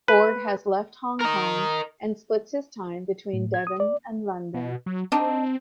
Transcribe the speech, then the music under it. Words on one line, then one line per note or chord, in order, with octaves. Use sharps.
Ford has left Hong Kong and splits his time between Devon and London.
B4
A#4 D#5
A2
G#6
D#6
D5
B2
F#3
C4 D4 D#4